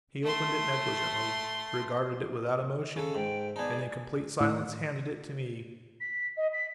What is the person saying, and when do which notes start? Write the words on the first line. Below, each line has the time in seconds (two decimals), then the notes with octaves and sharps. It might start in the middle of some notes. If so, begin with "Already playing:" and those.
He opened it negligently, regarded it without emotion, and, in complete silence, handed it to me.
0.23 A3 C6
2.96 C#3 A4
3.15 G#2 G5
3.56 B3 D#4 G#4 D5 A5
4.41 A2
6.01 B6
6.37 D#5
6.53 B6